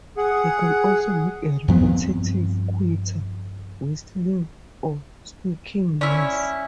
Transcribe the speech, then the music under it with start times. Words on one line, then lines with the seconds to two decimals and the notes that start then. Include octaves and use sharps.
They can also make a repetitive quieter whistling or squeaking noise.
0.17 G#4 F#5
1.68 G2 F3 B3 C4
6.01 C#4 E4 D5 E6